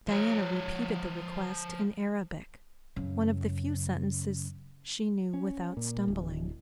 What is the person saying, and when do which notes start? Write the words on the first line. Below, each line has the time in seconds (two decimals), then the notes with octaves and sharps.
Diana repeated the request in Arabic, one of the few sentences she knew without stumbling.
0.09 F3 C#5
2.96 F#2 C#3
5.34 C#4
5.77 A#2
6.08 D1